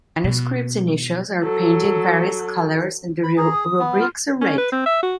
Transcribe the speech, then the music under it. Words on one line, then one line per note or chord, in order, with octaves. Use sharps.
The manuscript's initials are painted various colors and the rubrics are red.
B2
F#3 A4
B5
G#4 A#5
D#6
B3
F4
C#4
B4
C4
E5
F#4